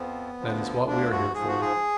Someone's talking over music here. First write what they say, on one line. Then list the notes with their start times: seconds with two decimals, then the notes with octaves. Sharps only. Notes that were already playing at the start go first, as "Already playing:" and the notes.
That is what we are here for.
Already playing: F2 F3 B3
0.40 D2 D3 F3
0.87 D2 D3 F3 D4
1.11 F#4
1.35 G#2 F3 G#4
1.48 F#4
1.61 G#4